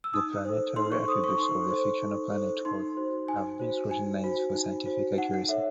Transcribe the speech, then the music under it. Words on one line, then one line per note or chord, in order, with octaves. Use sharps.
The planetary attributes of the fictional planet Hoth have been scrutinized for scientific accuracy.
E6
D#4 D#6
A4 C5
D#4 C6
C#6
A4 C5 D#6
C#6
D#4 C6
A4 C5
D#4
A4 C5
D#4 C6
F#4 C5
D#4 G#5
F#4 C5
D#4 G#5
F#4 C5
D#4
F#4 C5
D#4 F#5
F#5
A4 C#5 E5